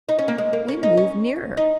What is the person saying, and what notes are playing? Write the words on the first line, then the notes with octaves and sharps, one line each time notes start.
We moved nearer.
D#4
C#4
A#3
G#3
A#3
C#4
D#4
C#4
D#4